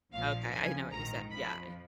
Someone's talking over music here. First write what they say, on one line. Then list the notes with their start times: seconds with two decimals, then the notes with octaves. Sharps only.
Okay, I didn't know what you said. Yeah, I
0.12 A#1 A#2 F3 F5
0.52 D#2 C#3 F3 G#5
0.91 A#1 G#2 D#3 A#5
1.31 F2 F3 B5